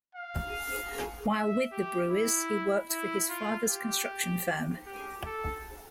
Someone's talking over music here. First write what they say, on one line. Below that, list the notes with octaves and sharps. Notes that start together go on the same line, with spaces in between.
While with the Brewers, he worked for his father's construction firm.
F5
E5
G4
E4
E4
F4
G4
G4
A4